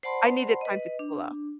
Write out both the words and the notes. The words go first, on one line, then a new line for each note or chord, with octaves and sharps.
I needed time to cool off.
C5 D5 F#5 A5 B5 C6
B4 D#5
D4